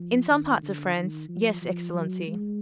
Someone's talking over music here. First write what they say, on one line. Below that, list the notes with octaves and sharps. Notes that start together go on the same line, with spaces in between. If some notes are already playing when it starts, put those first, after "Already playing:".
"In some parts of France--yes, excellency."
Already playing: F3
D#3
D3
D#3
F3
F3
F#3
G#3